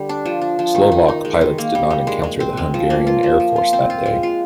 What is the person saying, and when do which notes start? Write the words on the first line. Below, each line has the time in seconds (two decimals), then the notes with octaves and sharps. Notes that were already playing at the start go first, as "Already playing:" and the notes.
Slovak pilots did not encounter the Hungarian Air Force that day.
Already playing: D3 G3
0.09 D4
0.26 F3
0.41 D4
0.59 F3
0.75 D#3
0.92 D#4
1.08 D#4
1.25 G#3
1.41 D#3
1.58 A#3
1.75 G3
1.90 G3
2.07 G#3
2.23 G#3
2.40 C4
2.57 G#3
2.74 F3
2.90 A#3
3.07 F4
3.23 F3
3.40 F3
3.56 F4
3.73 C4
3.90 F4
4.06 G#3
4.23 F4